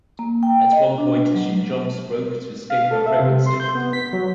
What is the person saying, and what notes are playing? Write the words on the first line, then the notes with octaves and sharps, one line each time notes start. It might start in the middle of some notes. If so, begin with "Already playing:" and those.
At one point, she jumps rope to escape her pregnancy.
A#3
G5
D#5
D4
F#3
F5
A4
E5
C3
C6
G6
B3
B6
F#3